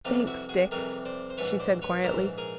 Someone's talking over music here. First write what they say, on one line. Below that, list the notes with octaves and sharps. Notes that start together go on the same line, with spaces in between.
"Thanks--Dick," she said quietly.
F2 C3 E3 G3 D#4 F4
E4 F#4
F#4 G#4
F2 C3 E3 G3 G#4 A#4
C5 D5
C5
A#1 G#2 E3 B4 C#5
C5 D5
B4 C#5
A#1 G#2 E3 A#4 C5
G#4 A#4